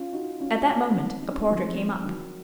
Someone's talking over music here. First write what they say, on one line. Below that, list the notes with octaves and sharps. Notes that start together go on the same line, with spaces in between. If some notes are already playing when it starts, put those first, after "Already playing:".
At that moment a porter came up.
Already playing: C#4 F4
D#4 F#4
C#4 F4
C4 D#4
D#4
C#4
C4 D#4
F3 G#3
D#3 F#3